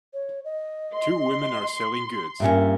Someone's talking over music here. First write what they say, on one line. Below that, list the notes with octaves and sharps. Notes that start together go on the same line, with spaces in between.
Two women are selling goods.
C#5
D#5
C6
G2 A#2 C#4 E5